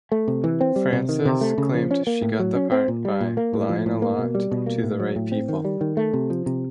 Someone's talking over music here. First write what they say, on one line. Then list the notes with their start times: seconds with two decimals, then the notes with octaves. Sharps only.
Francis claimed she got the part by "lying a lot, to the right people".
0.12 A3
0.28 C3
0.44 E3
0.61 C4
0.76 G3
0.93 C3
1.09 D#3
1.25 C3
1.41 A3
1.58 C#3
1.74 F3
1.91 C#4
2.07 A#3
2.22 A2
2.39 F#3
2.55 C#4
2.72 C4
2.88 A#2
3.05 G3
3.21 A#2
3.37 A#3
3.53 A2
3.69 F3
3.86 A2
4.02 A#3
4.18 B2
4.35 G3
4.51 B2
4.67 A#3
4.83 A2
5.00 F#3
5.16 A2
5.32 C4
5.49 D#3
5.65 G3
5.81 D#3
5.97 A3
6.13 C3
6.30 F3
6.46 C3